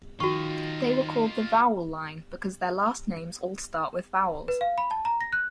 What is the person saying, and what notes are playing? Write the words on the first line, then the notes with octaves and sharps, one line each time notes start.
They were called the "Vowel Line" because their last names all start with vowels.
D#3 F4 F#4 D#5 C#6
B4
F5
B5
A5
A#5
A#6
F#6